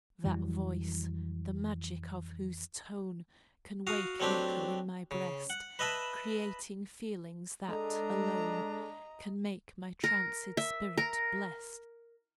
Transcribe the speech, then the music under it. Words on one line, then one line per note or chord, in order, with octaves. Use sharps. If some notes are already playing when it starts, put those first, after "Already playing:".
That voice, the magic of whose tone Can wake an echo in my breast, Creating feelings that, alone, Can make my tranced spirit blest.
F2 E3 F#3 G3
F#4 F5 D#6
F#3 A3 C4 D4 G4
C#3
F#5
B4 D#5 E5 A5 B5
G#3 D4 A4 D#5 A#5
A#4
E5
A#4